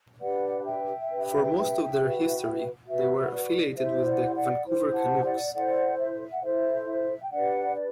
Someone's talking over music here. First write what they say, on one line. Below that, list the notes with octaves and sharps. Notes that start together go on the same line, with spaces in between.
For most of their history, they were affiliated with the Vancouver Canucks.
D4 G4 B4 D5 F#5
E5 G5
D4 G4 B4
F#4 B4
F#4 B4 E5
D5
E4 G4 C5 E5
D5 F#5
D5 F#5
E4 G4 C5
F#5 A5
D5 F#5
E4 A4 C5 D5 F#5
E5
F#5
E4 A4 C5 E5
E5
G5
D4 G4 B4 D5 F#5
D5